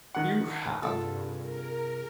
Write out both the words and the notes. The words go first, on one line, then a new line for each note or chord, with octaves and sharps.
"You have?"
D#3 F#5
G2 C3 F4 G#4 A4
A#4